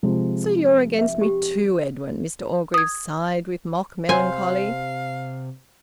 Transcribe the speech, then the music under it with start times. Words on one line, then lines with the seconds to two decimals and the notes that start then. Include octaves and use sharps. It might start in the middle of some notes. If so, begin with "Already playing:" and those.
"So you're against me too, Edwin!" Mr Orgreave sighed with mock melancholy.
0.03 C3 F3 G#3
0.99 E5
1.21 G4
2.74 D#6 G#6
4.09 C3 C5 F5 G#5